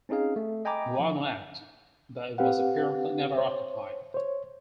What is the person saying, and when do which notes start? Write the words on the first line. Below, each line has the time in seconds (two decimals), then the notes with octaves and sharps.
Guano Act, but it was apparently never occupied.
0.09 C4 C#4 D#4 G#4 F5
0.36 A3
0.65 D#5 G5 G#5 A#5 B5 D6
1.00 F3
2.38 C4 G4 B4 F5 F#5
3.38 C5 C#5
4.14 C5 C#5